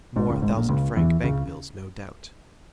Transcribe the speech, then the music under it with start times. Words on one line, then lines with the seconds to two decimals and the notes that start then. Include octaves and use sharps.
More thousand-franc bank-bills, no doubt!
0.16 G#1 G#2
0.29 C#2 C#3
0.42 G#1 G#2
0.56 A#1 A#2
0.69 C#2 C#3
0.96 E2 E3
1.23 C#2 C#3